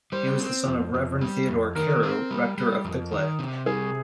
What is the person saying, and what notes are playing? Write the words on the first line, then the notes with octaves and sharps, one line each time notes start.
He was the son of Reverend Theodore Carew, rector of Bickleigh.
G3 C5
C4
F2
F2
G3
F2
D#3 A#4
C4
G3
G3
F2
D#3
C3
G3 G#4